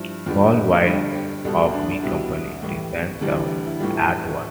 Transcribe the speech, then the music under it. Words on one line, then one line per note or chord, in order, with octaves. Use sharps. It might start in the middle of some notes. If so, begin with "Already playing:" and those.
Paul White of "Me Company" designed the artwork.
Already playing: G2 F3 E4
E2 D3 G3 F4
G2 D3 G3
G4
C2 B2 G3 A4
D4
C2 B2 G3 E4
A2 E3 G3
D2 C3 E3 G3 D4
E4
A2 E3 G3 F4
E4